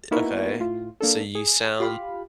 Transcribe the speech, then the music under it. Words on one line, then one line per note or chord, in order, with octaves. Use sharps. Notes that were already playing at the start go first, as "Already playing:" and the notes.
okay. So, you sound
A#3 B3 D#4 E4 F#4 A#4
A2 F4
A#3 D4 A4
G#4
F4 G4 F5 B5